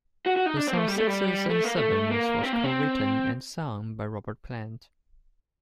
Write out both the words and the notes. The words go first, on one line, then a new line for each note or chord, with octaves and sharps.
The song "Sixes and Sevens" was cowritten and sung by Robert Plant.
F#4
F#4
D#4
D4
C4
A#3
A3
G3
A3
G3
A3
A#3
A3
A#3
C4
A#3
C4